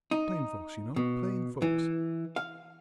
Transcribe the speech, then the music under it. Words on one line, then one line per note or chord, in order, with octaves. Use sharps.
Plain folks, you know--plain folks.
D#4
B2
E3
F5